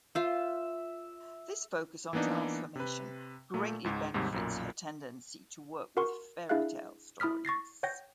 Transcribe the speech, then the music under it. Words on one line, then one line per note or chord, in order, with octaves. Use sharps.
This focus on transformation greatly benefits her tendency to work with fairytale stories.
F4 C5 E5
E3 A#3 B3 D4 D#4
C3 B4
A#2 A3
C#2 G#2
D#2 G#2 C3 G3
B1 F#2 A#2
F#4 A#4 F#5 C6 C#6
D4 E4 G#4 E5 F5 F#6
E4 B5 D#6 F6 B6
C#6 A6 A#6 C7
C#5 F#5 G5 G6 A#6